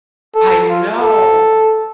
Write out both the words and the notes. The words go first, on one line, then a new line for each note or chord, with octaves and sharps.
I know.
A4
F4
A4